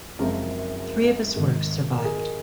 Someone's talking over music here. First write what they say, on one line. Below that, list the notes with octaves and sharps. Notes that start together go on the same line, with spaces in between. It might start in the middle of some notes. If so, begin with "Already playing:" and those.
Three of his works survived.
F#1 F#2 F3 G#3 C4 A#4
G#1 G#2 D#3 G#3
A#4
G#4
A#4